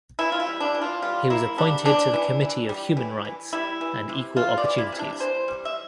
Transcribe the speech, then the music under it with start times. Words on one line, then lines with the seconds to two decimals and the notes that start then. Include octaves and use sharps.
He was appointed to the committee of human rights and equal opportunities.
0.19 E3 E4
0.32 F4
0.40 E4
0.47 G3
0.60 D4
0.74 E3
0.82 F4
1.02 G3 F4
1.30 A#3 E4
1.58 G3 D4
1.85 E3 D4
2.13 E3
2.41 E3
2.69 G3
2.97 E3
3.25 E3
3.53 G3 E4
3.81 E3
4.09 C3
4.36 C3 F4
4.57 D5
4.64 E3
4.78 E4
4.92 C3
4.99 D4
5.20 E3 C5
5.48 G3
5.65 E5